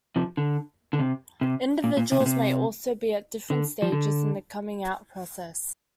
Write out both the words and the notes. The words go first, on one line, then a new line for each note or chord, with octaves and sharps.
Individuals may also be at different stages in the coming out process.
C3 F3
D3
D3
C3
C3
A#2
A#2
C3
A#2
C3
D3
F3
D3